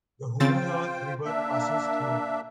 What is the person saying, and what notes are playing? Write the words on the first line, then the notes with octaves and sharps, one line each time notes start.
The Humuya River passes through it.
C#3 C4 F4 C5 G5 A6
A#3 D4 E5